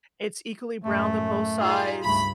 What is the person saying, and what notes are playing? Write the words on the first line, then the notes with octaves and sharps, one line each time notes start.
it's equally browned on both sides
F#2 A2 A3
D#4 F4 G#4
C#2 G2 A3 B5